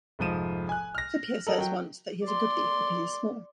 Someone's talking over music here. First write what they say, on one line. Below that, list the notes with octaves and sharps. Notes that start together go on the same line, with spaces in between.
Scipio says once that he is a good thief because he is small.
F1 G#2 F3 D#7 E7
G#5 F#6
F6 A#6
A4 A#4 D#5
F#3 G5
D5 C6